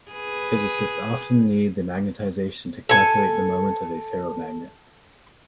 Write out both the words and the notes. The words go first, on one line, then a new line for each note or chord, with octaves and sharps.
Physicists often need the magnetization to calculate the moment of a ferromagnet.
G#4 B4
A4 G#5